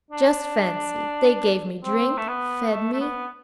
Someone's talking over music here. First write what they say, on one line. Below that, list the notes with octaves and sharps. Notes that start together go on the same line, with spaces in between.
Just fancy, they gave me drink, fed me!
D4
C4
A3
B3
A3
A3
B3